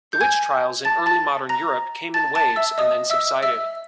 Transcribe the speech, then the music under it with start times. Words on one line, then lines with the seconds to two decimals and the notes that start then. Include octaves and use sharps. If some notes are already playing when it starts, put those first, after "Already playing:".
The witch trials in Early Modern Europe came in waves and then subsided.
0.13 G6
0.21 G#5 G#6
0.85 A5 A6
1.06 A5 A6
1.49 A#5 A#6
2.14 A5 A6
2.35 A5 A6
2.56 E5 E6
2.78 D#5 D#6
3.10 E5 E6
3.43 E5 E6